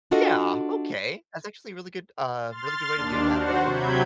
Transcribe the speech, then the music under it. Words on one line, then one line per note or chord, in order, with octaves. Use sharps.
Yeah, Okay, that's actually a really good uh, really good way to do that though.
D4 F4 F#4 A4 D#5
C6 F6 A6
D#2 D4
F#4 C5 F#5
C3 F#3 B5 G6 G#6